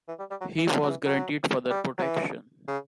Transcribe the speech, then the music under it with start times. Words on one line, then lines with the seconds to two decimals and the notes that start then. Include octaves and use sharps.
He was guaranteed further protection.
0.08 E3
0.19 G3
0.30 G3
0.40 F#3
0.58 E3
0.74 D3
0.83 F#3
0.90 E3
1.06 F#3
1.70 G3
1.98 F#3
2.02 E3
2.67 C#3